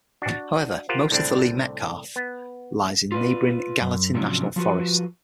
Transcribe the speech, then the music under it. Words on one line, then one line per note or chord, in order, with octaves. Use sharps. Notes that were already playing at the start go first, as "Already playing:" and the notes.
However, most of the Lee Metcalf lies in neighboring Gallatin National Forest.
D4 F#4
F4 G4 A#4 C5 F5 F#5
C2 A2 D3 C4 D4
B3
F4 B4 D5
F#2
G#2 C3 F3 F#3 C#4 D4
F3 F4 F#4 B4